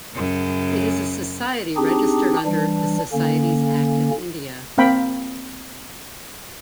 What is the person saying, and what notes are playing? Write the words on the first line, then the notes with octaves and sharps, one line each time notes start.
It is a society registered under The Societies Act of India.
F#2 C#3
C4 D4 D#4 G4 G#4
E3 G3 D4
D3 A#3 C#4
A#3 C4 F5 G5 B5